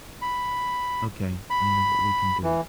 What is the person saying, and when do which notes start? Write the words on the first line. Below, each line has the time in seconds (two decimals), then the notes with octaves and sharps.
OK, I know what we can do.
0.22 B5
1.50 B5
2.43 E3